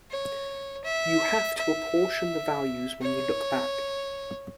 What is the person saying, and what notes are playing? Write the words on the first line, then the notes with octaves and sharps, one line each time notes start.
You have to apportion the values when you look back.
C#5
E5
E5
C#5